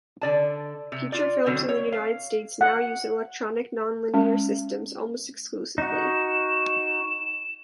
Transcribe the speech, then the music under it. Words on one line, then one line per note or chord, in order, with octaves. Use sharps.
Feature films in the United States now use electronic non-linear systems almost exclusively.
D3 D5 A5
C3
F4 D5
B2 D3 F#3 C4
C#5
F5
F#5
G#3 C#4
D#4 F#4 E7